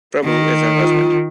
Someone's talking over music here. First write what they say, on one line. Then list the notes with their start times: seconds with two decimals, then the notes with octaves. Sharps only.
Prabhu is her husband.
0.24 D#3
0.79 F4